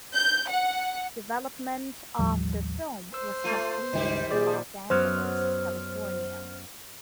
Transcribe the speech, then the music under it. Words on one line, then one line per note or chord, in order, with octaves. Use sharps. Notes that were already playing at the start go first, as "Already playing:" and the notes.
Development of the film was completed in Los Angeles, California.
G6
F#5
A1 D#2 F3 G3
C5 E6
A3 F4
C#2 G2 D#3 G3 G4
A#2 G#4 D5 D6
F#2 F#3 B3 C5 F6